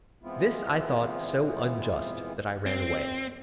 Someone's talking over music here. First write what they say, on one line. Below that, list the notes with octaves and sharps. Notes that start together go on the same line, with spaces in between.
This I thought so unjust that I ran away.
E3 G#3 B3 C4 E4 F4
C4